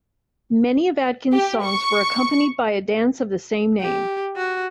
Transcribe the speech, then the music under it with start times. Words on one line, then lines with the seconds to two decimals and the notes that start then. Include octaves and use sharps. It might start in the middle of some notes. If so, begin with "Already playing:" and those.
Many of Adkins' songs were accompanied by a dance of the same name.
1.33 G4
1.64 C#6
3.80 G4
4.36 F#4